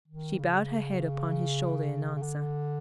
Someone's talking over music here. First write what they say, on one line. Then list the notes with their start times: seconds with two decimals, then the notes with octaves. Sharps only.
She bowed her head upon his shoulder in answer.
0.08 D#3
0.39 C#3
2.16 C#3
2.22 D3